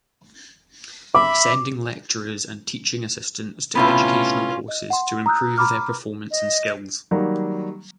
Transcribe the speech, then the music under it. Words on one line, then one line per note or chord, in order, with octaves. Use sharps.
Sending lecturers and teaching assistants to educational courses to improve their performance and skills.
E5 B5 D6
A2 C3 B3 C#4 F4
D#5
F#5 C6
A#5 D#6 E6 F#6 G6
A#5 B5 D6 F6
D#5
D#3 F#3 G3 A#3